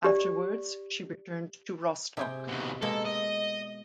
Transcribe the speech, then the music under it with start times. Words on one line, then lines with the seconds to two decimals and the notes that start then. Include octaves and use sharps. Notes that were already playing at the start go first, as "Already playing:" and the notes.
Afterwards she returned to Rostock.
0.04 G4 D5
2.17 C3 G#4 G5
2.48 D#2 B2
2.82 B2 G#3 A#3 A4
3.06 D#5